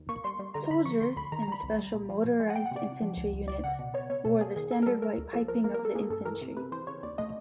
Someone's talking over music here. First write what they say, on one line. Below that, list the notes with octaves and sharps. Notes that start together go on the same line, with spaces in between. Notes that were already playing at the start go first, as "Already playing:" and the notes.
Soldiers in special Motorized Infantry units wore the standard white piping of the Infantry.
Already playing: D#2
A#3 C#6
G3 C6
G3
D3 A#5
A#5
D3 B5
F3 C#6
D3 C6
D2 B5
D#3 A#5
A#5
G3 B5
C2
G3
A#2
F3
A#2
G#3
F#5
A#3 G5
F#5
C3 D5
C3
F3
C#2
C#2
C#2 D5
C#3 F#5
B2
B3 C#5
B3 C#5
B2 A4
A#3 G#4
D#3 G#4
A#3 A4
A#4
G3 A4
A3 A#4
D2
F3 A4
F3 A#4
A#3 A#4
A#4
A#3
A4
A#3 G#4
G2 A4
E3 A#4
C3
C3 B4
E3 C5
C#3 C#5
D#2 D5
A3 D#5